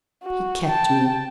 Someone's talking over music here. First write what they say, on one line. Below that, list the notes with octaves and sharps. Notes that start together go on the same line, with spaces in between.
"He kept me."
F#4
G5 A5